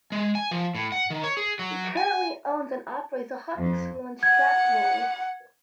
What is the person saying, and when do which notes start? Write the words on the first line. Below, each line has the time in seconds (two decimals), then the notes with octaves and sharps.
He currently owns and operates a hockey school in Strathroy.
0.12 G#3
0.35 G#5
0.51 F3
0.75 A2
0.92 F#5
1.10 D#3
1.24 C#5
1.37 G#4
1.59 F#3
1.97 G#5
3.56 F2
4.23 F#5 G#6